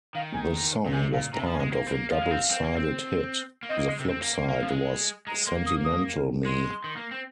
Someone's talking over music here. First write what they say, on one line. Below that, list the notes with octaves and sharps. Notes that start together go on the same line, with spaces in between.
The song was part of a double-sided hit; the flip side was Sentimental Me.
D#3 F5
G#5
A#5
A#2
C3 G#5
A#2 F5
C3 A#5
F3
G#5
G#3
A#3
C4
A#3
F3 F5
G#3
C4
C4
A#3
C4
A#3
C4 D#5
A#3
G#3
C3
C4
A#3
A#3
A#3 F5
F3
G#3
G#3 A#5
A#3 C6
D#6
D#6
G#3 C6
D#3
A#3
C4